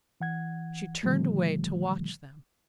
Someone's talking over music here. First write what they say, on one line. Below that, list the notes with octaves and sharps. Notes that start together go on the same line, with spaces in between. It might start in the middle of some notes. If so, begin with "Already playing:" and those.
She turned away to watch them.
E3 F#5 G#6
A#2 D3 D#3 F3 G3 A3